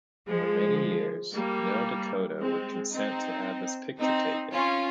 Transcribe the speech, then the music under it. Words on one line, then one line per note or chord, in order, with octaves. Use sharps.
For many years no Dakota would consent to have his picture taken.
F3 G#3
G3 A#3
G#3 C4
C4 D#4
C4 D#4
C#4 F4